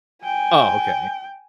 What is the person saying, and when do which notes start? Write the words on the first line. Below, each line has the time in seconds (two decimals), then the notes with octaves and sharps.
Oh, okay.
0.24 G5 G#5